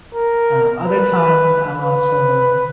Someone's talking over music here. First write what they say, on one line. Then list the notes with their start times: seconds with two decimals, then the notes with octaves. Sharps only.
Um, other times I'll also,
0.14 A#4
0.86 B4
1.81 B4